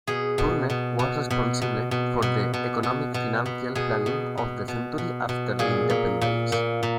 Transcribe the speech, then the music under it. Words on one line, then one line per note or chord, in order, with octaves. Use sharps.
Turner was responsible for the economic, financial planning of the country after the independence.
B2 G#4
B2
B2
B2
B2
B2
B2
B2
B2
B2
B2
B2
B2 G#4
B2
B2
B2
B2
B2
A#2 G#4
A#2
A#2
A#2
A#2